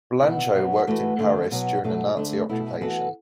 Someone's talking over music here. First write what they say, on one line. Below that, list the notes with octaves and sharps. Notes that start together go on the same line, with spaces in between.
Blanchot worked in Paris during the Nazi occupation.
B2 B3 E4
B2 F#3 B3
E3 A3 F#4 B4
E2 D3 A3
B2 F#3 B3
E2 B2 F#3 A3 F#4
D2 D3 A3 D4
B2 A3 E4
E3 B3 F#4 A4